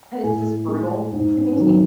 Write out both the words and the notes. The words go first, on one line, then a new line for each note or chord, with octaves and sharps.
it's just brutal to me.
A2 G#5
G#3
G#2
D#3 F#3